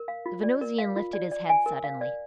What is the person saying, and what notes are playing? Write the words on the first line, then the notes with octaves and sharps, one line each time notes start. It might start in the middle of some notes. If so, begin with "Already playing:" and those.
The Venusian lifted his head suddenly.
Already playing: A#4
F5
F4
D5
A#4
F5
F4
D5
D5
G#5
A#4
F5
D5